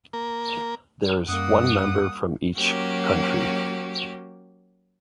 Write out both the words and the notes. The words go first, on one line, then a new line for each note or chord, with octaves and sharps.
There is one member from each country.
A#3 A#4
F#2 G3 A#3 F#5 D#6
F#3 A#3 C#4 F#4 G4